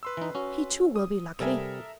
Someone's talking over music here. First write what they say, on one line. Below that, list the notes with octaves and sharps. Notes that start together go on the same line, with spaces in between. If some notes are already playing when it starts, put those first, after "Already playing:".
He, too, will be lucky.
B4 C6 E6
E3 D#4
C#4 F#4
D#6
C3 G3 A4 A#4 E5 G#5